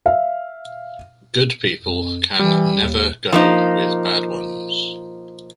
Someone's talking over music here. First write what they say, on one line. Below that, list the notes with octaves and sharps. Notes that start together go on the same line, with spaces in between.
Good people can never go with bad ones.
E5 F5
F2
E3 G3
D#2
F3 A#3 D#4